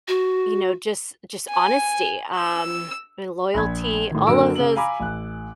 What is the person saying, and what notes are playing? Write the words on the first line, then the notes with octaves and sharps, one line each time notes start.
you know, just just honesty, um, and loyalty, all of those
F#4
G#5
E6
A#1 B5 G#6
A2 D#3
F#2 D3 A#3 F#4 E6 D7
C#3 F#7
F5 G#5 A#5 B5 D6
A1 F#6